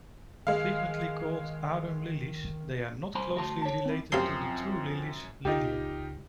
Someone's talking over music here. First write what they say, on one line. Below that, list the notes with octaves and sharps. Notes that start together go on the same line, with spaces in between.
Frequently called "arum lilies", they are not closely related to the true lilies "Lilium".
D#3 G#3 F5
C2 C5 G#5 B5 C6
D2 E4 F#4 A#4 A5 C6
C#5 A5
C4 E4
F#2 C3 F3 C4 F5 C6
C#2 D#4 F4 G4